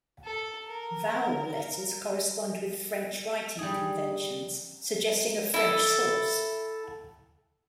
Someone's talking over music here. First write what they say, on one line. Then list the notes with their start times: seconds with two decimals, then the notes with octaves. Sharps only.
Vowel letters correspond with French writing conventions, suggesting a French source.
0.25 A4
0.67 A#4
3.59 G3 G#4
5.54 E4 A4